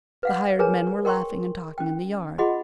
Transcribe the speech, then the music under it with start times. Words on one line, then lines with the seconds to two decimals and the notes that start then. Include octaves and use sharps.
The hired men were laughing and talking in the yard.
0.23 B4 F5 F#5
0.59 G#4 A#4 B4 C#5 G#5 A#5
1.05 A#4 G5 C6 C#6
1.78 C#4 G5
2.38 F4 G#4 D#5 F#5 B5 C6